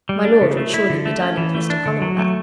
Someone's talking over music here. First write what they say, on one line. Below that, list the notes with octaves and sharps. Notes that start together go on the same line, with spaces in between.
My lord would surely be dining with Mr. Columbell.
G3
D4
C#3
A3
E4
D3
A3
C#4
E3
A3
D4
D3
F#3
A3